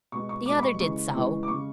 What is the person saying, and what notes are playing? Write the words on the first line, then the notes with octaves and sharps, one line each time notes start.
The other did so.
B2 G#3 C#6
C#6
B2 G#3 D6
B5
C#6
C#3 E3 G#3 C#6
C#3 E3 G#3
D6
C#3 G#3 C#6